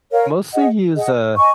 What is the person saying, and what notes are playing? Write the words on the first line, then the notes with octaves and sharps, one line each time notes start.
mostly use, uh,
A#4 C#5 F5
G#4 D#5 F#5
G#4 D#5 F#5
D#5 G#5 C#6